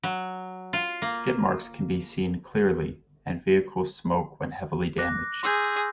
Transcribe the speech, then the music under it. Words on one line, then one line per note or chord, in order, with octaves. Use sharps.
Skid marks can be seen clearly, and vehicles smoke when heavily damaged.
F#3
F4
A#3
D6 F#6 A#6
G#4 C6 E6 G6